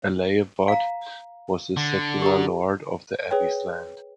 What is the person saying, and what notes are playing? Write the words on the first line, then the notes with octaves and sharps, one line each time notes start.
A "lay abbott" was the secular lord of the abbey's lands.
F5 A#5
D3
G4 A#5
G#4 B4 C#5 G5